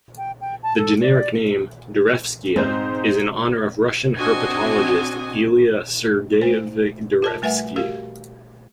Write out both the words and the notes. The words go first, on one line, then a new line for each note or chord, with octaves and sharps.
The generic name, "Darevskia", is in honor of Russian herpetologist Ilya Sergeyevich Darevsky.
G5
G5
A5
A4
D5
G#2 C4 D#4 C5
C4 D4 F#4 D#5 G#5
A3 C5
F4 A#4 A5
G3 A3 B4 E5 F#5 G#5
F#4 G4 A#4 F5